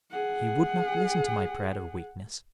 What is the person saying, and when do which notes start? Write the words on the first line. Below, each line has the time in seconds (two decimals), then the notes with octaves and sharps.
He would not listen to my prayer of weakness.
0.11 G#4 F#5